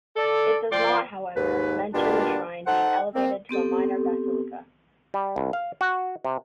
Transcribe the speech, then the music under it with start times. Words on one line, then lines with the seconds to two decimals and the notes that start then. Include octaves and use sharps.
It does not however, mention the shrine being elevated to a minor basilica.
0.16 A4 D5
0.72 F3 F4 D5 G5 C6
1.36 D#2 G#2 B4
1.94 B2 D3 G3 A#3 D4 F4
2.66 D#4 A4 C5 F#5
3.15 A#3 C4
3.49 B3 C4 G4 A4
5.14 G3
5.36 C2
5.53 F5
5.81 F#4
6.25 C3